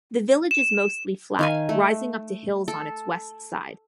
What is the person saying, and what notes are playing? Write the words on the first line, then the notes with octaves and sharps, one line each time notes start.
The village is mostly flat, rising up to hills on its west side.
E7
D#3 F5 G#5
A3
A4